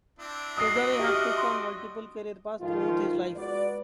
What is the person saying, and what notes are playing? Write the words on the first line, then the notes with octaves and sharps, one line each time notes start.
Yazdani had took on multiple career paths throughout his life.
C4 D4 E4
F#4 D#5 D#6 C7
G4 E5 F6
C6
G#2 D3 D#3 F3 F4
G#3 B3 F#4 B4 D5